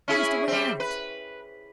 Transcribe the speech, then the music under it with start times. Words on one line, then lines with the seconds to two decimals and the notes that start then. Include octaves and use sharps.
"Here's the way out!"
0.08 C#4 E4 G#4
0.48 G3 C4
0.80 B4